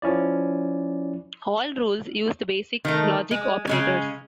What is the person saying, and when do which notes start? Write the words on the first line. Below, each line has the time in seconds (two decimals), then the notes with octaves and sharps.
All rules use the basic logic operators.
0.02 F3 C#4 E4 D5
2.85 D#3 A3
3.31 G#3
3.67 C#3 G#3 C#4